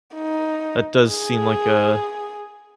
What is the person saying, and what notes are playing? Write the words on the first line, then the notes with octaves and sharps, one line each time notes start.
that does seem like a
D#4
G#4